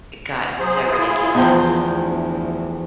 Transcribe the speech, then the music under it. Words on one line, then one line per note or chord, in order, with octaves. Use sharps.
I gotten so ridiculous.
F#3 G#4 C5
E4 F4 G#4
E2 F3 G5
D2